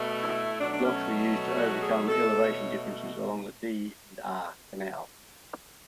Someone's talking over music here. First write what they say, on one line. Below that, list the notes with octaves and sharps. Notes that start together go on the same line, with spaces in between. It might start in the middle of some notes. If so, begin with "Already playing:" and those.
Locks were used to overcome elevation differences along the D and R canal.
Already playing: B2 A3
E4
B2 F#3 A3 D4
D4
C#4
F#4
G#4
B2 A3 A4
C#5